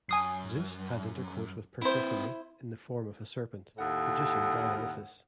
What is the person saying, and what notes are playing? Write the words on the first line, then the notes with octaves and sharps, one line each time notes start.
Zeus had intercourse with Persephone in the form of a serpent, producing Dionysus.
F#2 G#5 D#6 C7
C4 E4 B4 C5
D#2 A2 F#5